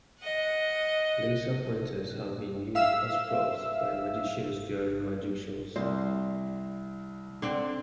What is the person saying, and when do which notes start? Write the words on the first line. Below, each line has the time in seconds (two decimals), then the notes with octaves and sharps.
Laser pointers have been used as props by magicians during magic shows.
0.20 D#5 F#5
2.75 E5 F5 E6
5.76 C2 C5
7.42 D3 C4